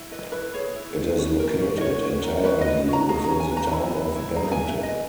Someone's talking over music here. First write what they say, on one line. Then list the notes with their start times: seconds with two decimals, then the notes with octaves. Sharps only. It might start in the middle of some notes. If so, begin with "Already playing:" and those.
It is located entirely within the town of Bennington.
Already playing: E4
0.12 B4 D#5
0.32 E4 B4
0.54 G#4 C#5
0.76 E4
0.96 B4
1.18 C#4
1.39 A#4
1.61 C#4
1.78 D#5
1.81 F#4 C#5
2.02 C#4
2.23 A#4
2.44 C#4 B4
2.61 B4 D#5
2.88 C#4
2.93 A#5
3.09 G#4 A#5
3.24 A#5
3.30 C#4
3.40 G#5
3.52 B4
3.57 A#5
3.72 E4 B5
3.94 B4
4.15 E4
4.36 G#4 A#5
4.52 G#5
4.57 E4
4.68 E5
4.78 B4
4.83 D#5